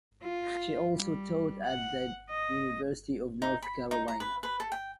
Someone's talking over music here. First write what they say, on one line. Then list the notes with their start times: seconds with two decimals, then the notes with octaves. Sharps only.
She also taught at the University of North Carolina.
0.23 F4
0.94 G3
1.65 F#5
2.30 D#5
3.42 D#4
3.62 B5
3.91 D#4
4.08 A#5
4.20 B4
4.43 B4
4.60 A4
4.72 G5